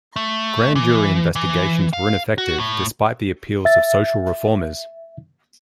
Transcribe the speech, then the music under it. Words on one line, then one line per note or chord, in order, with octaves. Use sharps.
Grand jury investigations were ineffective, despite the appeals of social reformers.
A3
E3
E3
F5
F#4
A2
E5 A6